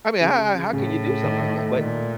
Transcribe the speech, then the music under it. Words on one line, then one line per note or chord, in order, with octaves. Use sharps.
I mean, how how how can you do something like that? But
C#3
C#3
C#3
A2 C#3
C#3
C#3
D#3
D#3
A3
A#2 D#3
A3